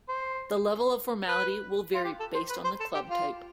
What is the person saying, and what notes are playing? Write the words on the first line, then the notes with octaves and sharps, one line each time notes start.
The level of formality will vary based on the club type.
C5
B4
F4
G4
A4
C5
B4
C5
A4
G4
F4